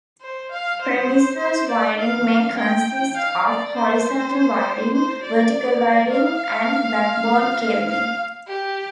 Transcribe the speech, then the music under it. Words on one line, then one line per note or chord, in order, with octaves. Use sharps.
Premises wiring may consist of horizontal wiring, vertical wiring, and backbone cabling.
C5
F5
C5
C5
D5
F5
G5
F5
D5
C5
C5
D5
F5
F5
G4